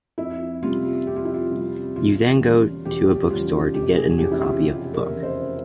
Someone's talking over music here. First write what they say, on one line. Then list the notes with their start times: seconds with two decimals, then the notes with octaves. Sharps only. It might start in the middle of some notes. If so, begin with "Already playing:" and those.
You then go to a bookstore to get a new copy of the book.
0.18 F2 E4
0.62 C3 G3 F4
1.07 F2 G4
1.16 F4
1.25 E4
1.34 F4
1.51 C3 G3
1.96 E1 F4
2.41 E2 C#3 G3
2.85 E1 G4
3.30 E2 C#3 G3 F4
3.74 F1 G4
3.97 G#4
4.19 E2 C#3 E3 G4
4.32 E4
4.42 F4
4.63 F1 G4
4.93 A#4
5.08 E2 C#3 E3
5.23 C5